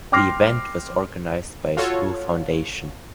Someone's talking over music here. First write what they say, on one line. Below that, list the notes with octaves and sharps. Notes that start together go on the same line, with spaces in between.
The event was organized by a school foundation.
G5 C6 D6 F6 A#6 C7
F4 F#4 A4 C#5